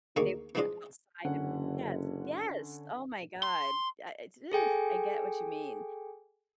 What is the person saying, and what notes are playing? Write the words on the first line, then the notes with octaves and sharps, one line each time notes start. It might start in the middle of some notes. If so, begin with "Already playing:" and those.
They were stuck outside of it Yes, yes! Oh my god. I I ooh, I get what you mean.
D2 D#3 A#3 G#4 G#5 C#6
E3 F3 G#3 D4 F4 D#5
F#1 D3 C#4 F#5
C6
G#4 A4 G5 G#5